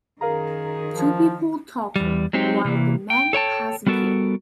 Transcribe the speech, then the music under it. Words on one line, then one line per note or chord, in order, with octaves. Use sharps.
Two people talking, while the man has a beer.
F#2 D#3 G#4 A#4 F5 A#5
F3
E2 G3
F#3 G#3 C4 D#4 G4
C3 E3 A#3
G5
A4 C#5 G5 A5
G3 B3 F#4 A4 A#4